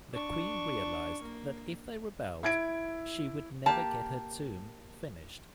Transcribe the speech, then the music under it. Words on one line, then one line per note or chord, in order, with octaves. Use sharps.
The Queen realized that if they rebelled, she would never get her tomb finished.
D4 C#6
A#3
E4 G#6 D7
A#3 G4 A5